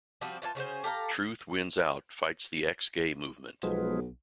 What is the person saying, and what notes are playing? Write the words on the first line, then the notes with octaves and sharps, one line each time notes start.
Truth Wins Out fights the Ex-Gay Movement.
F3 G3 C4 F#4
E3 F4 C#5 A5
C#3 C#4 F#4 C5
G4 A4 F5 A#5
B1 F3 G#3 B3